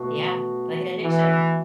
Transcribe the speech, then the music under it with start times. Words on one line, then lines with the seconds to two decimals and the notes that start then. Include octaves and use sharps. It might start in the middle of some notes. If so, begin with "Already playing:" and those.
Yeah. Like an addiction.
Already playing: B2 A3 F#4
1.03 E3